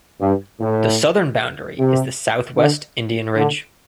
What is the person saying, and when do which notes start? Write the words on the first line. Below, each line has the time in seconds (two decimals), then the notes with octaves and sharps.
The southern boundary is the Southwest Indian Ridge.
0.20 G2
0.60 A2
1.79 C3
2.57 D3
3.36 D3